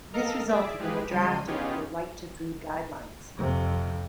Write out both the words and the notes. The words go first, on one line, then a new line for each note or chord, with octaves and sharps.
This resulted in the drafting of the Right to Food Guidelines.
A4 A#4 D#5 F5 A#5 F6
G#4 D5 E5 D6
F3 G#3 G4 G#4 B4
C#3 F3 G3 G#3 C6 D#7
B3 C#4 D#4 F4 G4 G#4
F2 C3